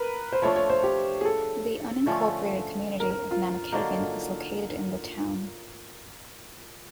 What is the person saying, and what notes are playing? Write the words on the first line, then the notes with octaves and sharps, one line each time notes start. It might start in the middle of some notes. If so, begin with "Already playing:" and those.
The unincorporated community of Namekagon is located in the town.
Already playing: A#4 B4
C5
F3 A3 D4 F4 C#5
C#5
C5
G4
G#4
A4
D3 F3 A3 C#4
A#4
A#4
F4
D3 F#3 A#3 D#4